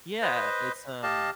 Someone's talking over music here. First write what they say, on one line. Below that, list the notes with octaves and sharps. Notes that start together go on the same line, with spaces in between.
Yeah, it's, um
B4 C5 D#5
G4 D#5 F5 A5